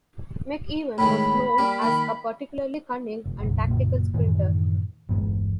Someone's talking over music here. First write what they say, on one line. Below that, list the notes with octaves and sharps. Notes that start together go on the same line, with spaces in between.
McEwen was known as a particularly cunning and tactical sprinter.
A2 D#3 G#3 B5
G3 A#3
D#3 A#3
F1
F#1 B1
F#1 A#2
F#2 A2 D#3 E3
G1 E2 G#3